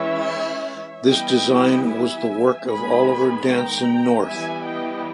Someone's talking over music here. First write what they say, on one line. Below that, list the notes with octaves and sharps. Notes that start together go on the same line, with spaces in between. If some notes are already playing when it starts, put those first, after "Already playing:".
This design was the work of Oliver Danson North.
Already playing: E3 G#3 C#4 E4 C#5 E5
E3 G3 B3 E4 D#5 G5
E5 G#5
D#3 G#3 B3 G#5 B5
G5 A#5
E3 G3 B3 E4 E5 G#5
D#5 G5